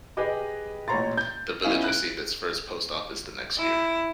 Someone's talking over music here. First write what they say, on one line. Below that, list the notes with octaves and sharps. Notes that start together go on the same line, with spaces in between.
The village received its first post office the next year.
G4 G#4 B4 D#5 D6
A1 A#2 C#5 A#5 C6 A6
G6
B3 C#4 D#4 E4 F5 G#5
F#6 D7
E4